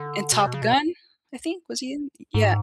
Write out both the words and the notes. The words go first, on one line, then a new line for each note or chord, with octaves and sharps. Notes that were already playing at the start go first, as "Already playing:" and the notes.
And Top Gun, I think was he in Yeah.
Already playing: D3
B2
C#3
B2
C#3
B2
G#2